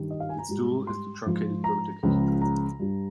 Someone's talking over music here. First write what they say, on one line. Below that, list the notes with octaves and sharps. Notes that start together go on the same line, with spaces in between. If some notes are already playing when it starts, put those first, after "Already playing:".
Its dual is the truncated dodecahedron.
Already playing: G2 D#3 G3
D#5
F5
G#5
A#5
G#2 G3
C6
G#2 F3
A#5
C#2 C#3 F3
A#5
G2 G3